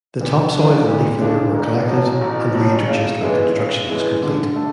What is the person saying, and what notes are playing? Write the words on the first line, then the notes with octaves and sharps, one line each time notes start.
The top soil and leaf litter were collected and reintroduced when construction was complete.
D2
C#3 G#3 D4
D2
C#3 G#3 D4
A1
A2 F#3
A1
A2 F#3
C#3
E3 G#3 B3 E4
C#3
E3 G#3 B3 E4
D3
A3